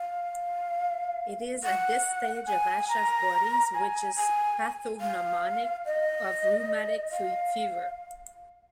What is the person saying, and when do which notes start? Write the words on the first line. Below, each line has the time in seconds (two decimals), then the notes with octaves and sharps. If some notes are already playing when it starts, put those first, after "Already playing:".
It is at this stage of Aschoff bodies, which is pathognomonic of rheumatic fever.
Already playing: F5
1.64 F#5
2.47 G#5
2.89 A#5
3.74 G#5
4.16 G#5
5.01 F5
5.86 D#5
7.12 F5